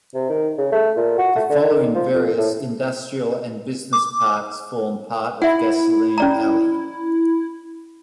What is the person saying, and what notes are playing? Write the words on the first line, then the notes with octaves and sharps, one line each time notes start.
The following various industrial and business parks form part of Gasoline Alley.
C3
D#3
C#3
A3
A#2
F#4
A3
D3
D#3
F3
F2
A2
D6
E4 E5 F#5
C#4 D5 A#5